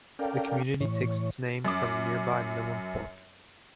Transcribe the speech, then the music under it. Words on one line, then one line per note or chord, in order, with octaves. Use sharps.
The community takes its name from nearby Milam Fork.
C#4 A4 A#4 D5 F5 G5
A2 E3 C#5
F#2 D6